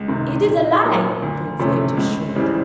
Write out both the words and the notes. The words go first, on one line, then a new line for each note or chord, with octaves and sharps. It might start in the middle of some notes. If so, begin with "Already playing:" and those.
"It is a lie!" Prince Victor shrilled.
Already playing: C#2
C3 D#3
A#2
F#3 A#3
D2
C3 F3 A3 C#4
C#2
C#3 E3 G3 C4